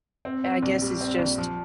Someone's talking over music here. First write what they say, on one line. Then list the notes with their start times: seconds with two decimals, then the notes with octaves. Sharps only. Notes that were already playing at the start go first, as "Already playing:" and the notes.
I guess it's just
0.25 C4
0.44 C4
0.63 A#1
0.82 G3
1.01 C4
1.19 A#1
1.38 F3